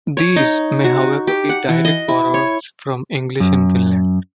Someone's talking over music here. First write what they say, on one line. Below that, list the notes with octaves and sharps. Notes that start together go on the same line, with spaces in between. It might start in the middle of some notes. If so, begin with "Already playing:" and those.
These may, however, be direct borrowings from English in Finland.
C#5
D#4
F#4
G4
F#5
E3
D#5
E4
C#5
F#2